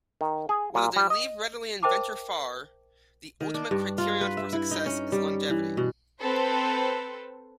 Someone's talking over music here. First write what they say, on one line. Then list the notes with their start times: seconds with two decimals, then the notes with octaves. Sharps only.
Whether they leave readily and venture far, the ultimate criterion for success is longevity.
0.21 D#3
0.49 G#4
0.75 A#2
0.96 G3
1.10 D#5
1.83 A#4 C5 E5 G5 A5 D6
3.41 D#3
3.54 D4
3.71 G2
3.98 F4
4.21 B4
4.37 E5
4.53 E4
4.71 D#4
4.86 C#4
5.12 G3
5.50 E3
5.77 B2
6.20 C4 A4 B4 C5